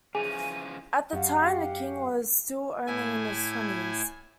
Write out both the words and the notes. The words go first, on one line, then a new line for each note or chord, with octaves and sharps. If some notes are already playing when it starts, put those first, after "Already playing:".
At the time, the king was still only in his twenties.
C#3 E3 F3 G#4 G#5 D#7
F#2 G4 F5 F#5
A2 E4 G#5